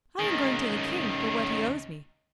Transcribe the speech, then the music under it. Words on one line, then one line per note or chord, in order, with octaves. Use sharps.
'I am going to the King for what he owes me.'
C#2 D#3